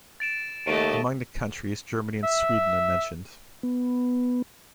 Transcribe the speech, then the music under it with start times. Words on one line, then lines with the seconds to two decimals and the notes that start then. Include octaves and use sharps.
Among the countries Germany and Sweden are mentioned.
0.20 A6 D7 E7
0.67 D#2 A3 D#5 C#6 D7
2.24 E5
3.63 B3